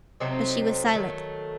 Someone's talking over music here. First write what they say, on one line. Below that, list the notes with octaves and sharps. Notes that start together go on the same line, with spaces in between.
But she was silent.
C3 F#3 A3 C4 D#4
D#3 F#3 A3